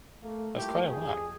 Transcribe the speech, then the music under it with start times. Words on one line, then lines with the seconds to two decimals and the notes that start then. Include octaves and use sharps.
That's quite a lot.
0.23 A3 A#3
0.57 G3 A3 A#3 E4 F4 G4
0.90 F2 G#4